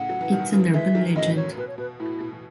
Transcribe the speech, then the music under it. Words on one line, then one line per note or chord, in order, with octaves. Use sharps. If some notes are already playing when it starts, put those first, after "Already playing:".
It’s an urban legend.
Already playing: A2 C#3 F#5
F#3
E3
B2 D#3
C#3 E3
E3 G#3 E5
D#3 F#3
A2 C#3 D#5
C#5
B2 B4
C#5
B2 B4
A2 E4
B2
E3